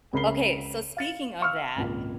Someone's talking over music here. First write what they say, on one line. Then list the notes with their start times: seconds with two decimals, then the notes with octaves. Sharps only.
Okay, so speaking of that,
0.13 C#2 C#3 A#4 B5 C7 G7
0.97 F5 A6 C#7
1.41 F5 C#6 E6 F6
1.76 G#1 C#2 A#2